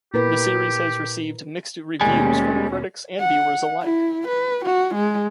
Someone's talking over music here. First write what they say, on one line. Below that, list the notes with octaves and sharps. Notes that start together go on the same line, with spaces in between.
The series has received mixed reviews from critics and viewers alike.
A#2 E4 G4 A#4 B4
D#2 B2 G3 G#3 C#4 G#5
F#5
E4
B4
F#4
G#3